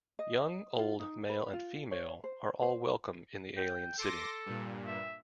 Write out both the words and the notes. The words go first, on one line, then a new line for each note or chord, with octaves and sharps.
Young, old, male and female are all welcome in the alien city.
D#5
F4
D#4
B4
F4
C#5
C5
C5
G5
A4 C6 D6 A#6
G2 A#2
E5